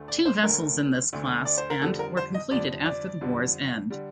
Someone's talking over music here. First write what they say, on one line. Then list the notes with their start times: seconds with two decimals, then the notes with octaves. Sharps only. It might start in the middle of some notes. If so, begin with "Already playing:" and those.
Two vessels in this class- and -were completed after the war's end.
Already playing: D2 D3 A3
0.08 D5
0.25 C5
0.43 D2 D3 A3 A#4
1.13 D2 D3 A3
1.45 D5
1.58 C5
1.70 A#4
1.82 F2 D3 G3 A4
1.99 A#4
2.17 C5
2.34 D#5
2.51 F2 D3 G3 D5
2.86 D5
3.21 F2 D3 G3
3.90 D3 G3